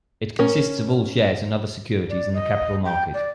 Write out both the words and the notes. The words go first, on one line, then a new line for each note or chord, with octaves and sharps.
It consists of all shares and other securities in the capital market.
C#4 A#4
D5
D#5
G5
D5